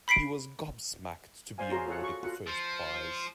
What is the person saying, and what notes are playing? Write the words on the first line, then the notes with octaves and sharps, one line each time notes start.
He was gobsmacked to be awarded the first prize.
B5 B6 C7 D7
C5 D5 F5 G#5
C#4 F#4 G#4 A#5 C6
F4 G#4 A4 C#5 F5 F#5
F#4 C#6
F4 F#4 A4 F#5
F3